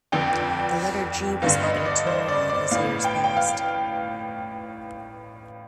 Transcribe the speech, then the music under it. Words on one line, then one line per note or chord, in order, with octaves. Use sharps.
The letter "g" was added to Moron as years passed.
F1 F2 D3 G5
G1 G2 D3 F5
D#5
D5
C5
D5
D5
A1 A2 F5
G5
G5
F5